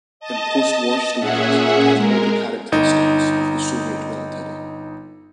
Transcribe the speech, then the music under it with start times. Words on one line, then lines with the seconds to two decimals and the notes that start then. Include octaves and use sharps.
In post-war stories it has all the characteristics of the Soviet military.
0.20 D#5 A5
1.19 A#2 C#4 G#4 E5 F#5
1.93 G#3 A#4
2.72 G1 D#4